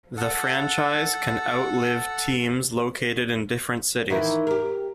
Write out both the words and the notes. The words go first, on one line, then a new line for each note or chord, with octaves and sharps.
The franchise can out-live teams located in different cities.
A4 F#5
D#3 E3 E4
G4 A#4